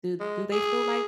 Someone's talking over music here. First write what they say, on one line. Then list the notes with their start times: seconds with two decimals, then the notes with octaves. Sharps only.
do do they feel like
0.20 G#3
0.52 G#4